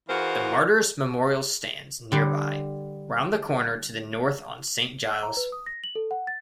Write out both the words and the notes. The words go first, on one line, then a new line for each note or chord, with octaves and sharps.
The Martyrs' Memorial stands nearby, round the corner to the North on Saint Giles.
E3 F4 F#4 G#4 A#4 C5
D3 G3
E6
A#5
B4
D#6
A#6
F#7
A4
F#5
A6